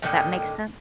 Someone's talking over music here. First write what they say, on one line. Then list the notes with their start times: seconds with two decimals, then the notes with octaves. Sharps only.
If that makes sense.
0.02 A2 D3 D#3 G5